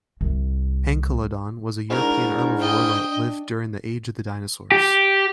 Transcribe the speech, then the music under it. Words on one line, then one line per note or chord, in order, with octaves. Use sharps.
"Henkelodon" was a European herbivore that lived during the "age of the dinosaurs".
C2
G#2 D4 E4 A#4 C#6 F6
D#5 G5
G4